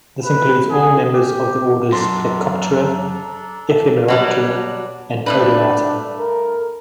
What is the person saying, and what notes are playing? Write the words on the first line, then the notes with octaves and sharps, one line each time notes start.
This includes all members of the orders Plecoptera, Ephemeroptera, and Odonata.
B4
G#4
G4
F#2 D4 A4 A#5 C6
F#3 G3 D4
G2 A3 D4 B4
A#4